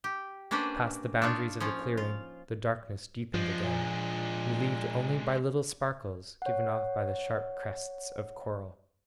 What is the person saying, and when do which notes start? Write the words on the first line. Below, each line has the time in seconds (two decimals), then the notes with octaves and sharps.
Past the boundaries of the clearing, the darkness deepened again, relieved only by little sparkles given off by the sharp crests of coral.
0.04 G4
0.51 A#3 C#4 D4 B4 C5 D5
1.22 D4 D#4 F4 C#5
1.60 F3 C#4 F4
1.97 F4
3.34 F3 G#3 D4
3.64 A#2
6.42 C#5 F#5